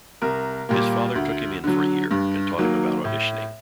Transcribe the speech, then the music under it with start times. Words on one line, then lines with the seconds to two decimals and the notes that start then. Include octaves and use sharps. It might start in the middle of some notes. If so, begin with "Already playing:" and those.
His father took him in for a year and taught him about auditioning.
0.22 C2 A#4
0.69 A#2 G3 A#3
1.15 D2
1.64 D3 F#3
2.11 G2
2.58 D#3 F#3 A#3
3.05 A2